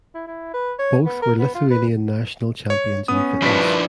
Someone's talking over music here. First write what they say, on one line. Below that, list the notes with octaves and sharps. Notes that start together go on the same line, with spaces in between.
Both were Lithuanian National Champions in Fitness.
E4
E4
B4
C#5
B3
A#4
B3
F4
B4
C#5
B3 C#4 D#6
G2 D#3 F3 D4 E4 B4 B6